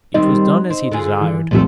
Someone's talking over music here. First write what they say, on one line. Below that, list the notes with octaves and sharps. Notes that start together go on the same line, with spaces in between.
It was done as he desired.
D#3 G3 C4 D#4
C4
D3 F4 G#4
E3
F1 C2 A#2 F3 A3